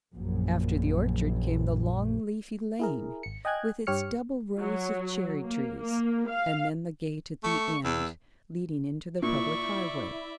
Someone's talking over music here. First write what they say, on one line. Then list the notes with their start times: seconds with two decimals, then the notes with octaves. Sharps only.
After the orchard came the long leafy lane, with its double rows of cherry-trees, and then the gate at the end, leading into the public highway.
0.14 A#1 F#2
2.80 E4 G#4 A#4
3.23 G#1 C#7
3.45 D#5 G5 G#5 F#6 G#6
3.87 G2 G4 C#5 F6 C#7
4.60 F#3
5.45 A#3
5.81 A#3
6.30 F5
7.43 A3 C#6
7.84 E2 E6
9.22 A#2 E4 D5 E5 C#6